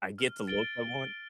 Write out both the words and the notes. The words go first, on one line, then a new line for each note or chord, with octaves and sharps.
I get the look I want.
F6
A6 D7 G7
A6